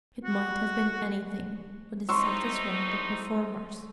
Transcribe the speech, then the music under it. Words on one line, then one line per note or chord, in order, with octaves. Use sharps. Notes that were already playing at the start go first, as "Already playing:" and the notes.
It might have been anything, but it satisfied the performers.
F#4
A2 C4 D#4 C6 C#6 E6